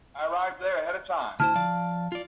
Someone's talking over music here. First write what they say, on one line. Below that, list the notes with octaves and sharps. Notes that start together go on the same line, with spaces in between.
I arrived there ahead of time.
D2 E4 C5 A5 F6
F3 D5 F5
F4 D5